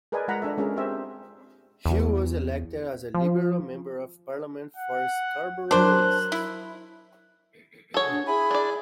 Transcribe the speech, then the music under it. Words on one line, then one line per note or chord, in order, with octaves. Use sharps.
He was elected as the Liberal Member of Parliament for Scarborough East.
G#4 A#4 B4 D5 D#5 G#5
G#3 F4 F#5 A#5 B5
D4 A4 E5
G#3 C#4 F4 G#4 A#4
C4 G4 G#4 C5 E5
E2
F3
F#5
F#3 D4 A#4 C5 F#6
E4
F#4 G#4 A4 C#5
D4
E4 G#4 G#5 B5
D4 D5